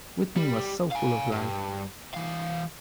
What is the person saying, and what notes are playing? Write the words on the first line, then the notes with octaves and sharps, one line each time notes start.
Whitney was so full of life.
G3
F5 G#5
G2
E3 F5